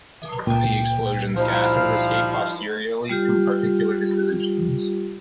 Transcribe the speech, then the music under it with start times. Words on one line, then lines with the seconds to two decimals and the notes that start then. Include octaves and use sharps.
The explosions’ gases escape posteriorly through particular dispositions.
0.47 C#2 A#2 G5
1.36 F3 G3 D#4 E4 C5 F5
3.09 G3 F4 G4